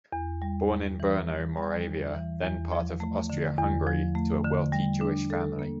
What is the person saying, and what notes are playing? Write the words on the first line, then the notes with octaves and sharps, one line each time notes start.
Born in Brno, Moravia, then part of Austria-Hungary, to a wealthy Jewish family.
E2
G3
E2
E3
E2
G3
E2
E3
E2
F3
A3
D3
E2
F3
A3
D3
G3
D4
A4
A#3